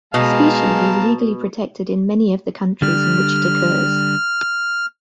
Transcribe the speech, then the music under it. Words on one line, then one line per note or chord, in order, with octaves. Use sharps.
The species is legally protected in many of the countries in which it occurs.
B2 G#3 F5 A5 A#5
D3 G3 F6